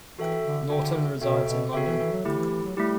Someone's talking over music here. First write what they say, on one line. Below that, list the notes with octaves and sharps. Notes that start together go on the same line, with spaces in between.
Norton resides in London.
E3 F#4 A4 E5 G5
D3
D3 F#4 A4 E5 G5
B2 F#4 A4 E5 G5
B2
C#3 F#4 A4 E5 G5
E3
E3
F#3
D3 A3 E4 G4
E3
E3
F#3
G3 A3 E4 G4